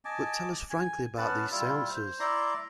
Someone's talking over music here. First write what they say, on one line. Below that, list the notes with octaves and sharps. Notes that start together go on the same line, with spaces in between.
But tell us frankly about these seances.
D#5 G#5 A5 D6
G#5
B3 C#4 B4 A5
G3 E4 F4
C5
E4 D5 A#5 C6